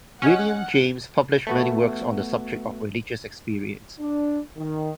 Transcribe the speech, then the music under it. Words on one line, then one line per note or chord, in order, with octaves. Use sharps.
William James published many works on the subject of religious experience.
C#4 D#5 F#5 G#5 F6
A3 B3 F#4
D4
D#3